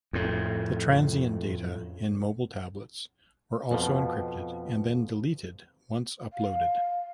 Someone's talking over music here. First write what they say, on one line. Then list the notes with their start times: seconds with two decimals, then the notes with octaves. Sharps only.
The transient data in mobile tablets were also encrypted and then deleted once uploaded.
0.13 F2 A2
3.71 F2 B2 F3
6.33 F5